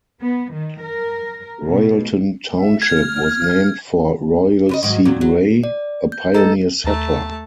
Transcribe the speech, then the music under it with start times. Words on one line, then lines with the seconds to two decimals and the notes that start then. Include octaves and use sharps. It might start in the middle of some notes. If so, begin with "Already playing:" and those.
Royalton Township was named for Royal C. Gray, a pioneer settler.
0.21 B3
0.54 D#3
0.82 A#4
1.65 B2
2.55 E5
2.82 F6 G#6
4.69 C#3 B4 D#5
4.83 G#2 D#3 F#3
5.05 A#2 D#3 F#3
5.21 F#3
5.64 D5
6.12 G6
6.35 A4 D#5 A#5
6.84 D#2 A3 A5 A#5